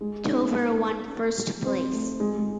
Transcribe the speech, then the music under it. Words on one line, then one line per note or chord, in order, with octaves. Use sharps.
Tovar won first place.
G#3
D#4
C#4
C4
A3
G#3
G#3